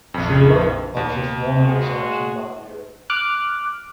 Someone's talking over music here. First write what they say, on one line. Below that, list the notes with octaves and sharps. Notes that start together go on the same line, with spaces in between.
Shula had just one interception that year.
A#1 F2
D#2
G#3 F#4 G#4
D6 F6 F#6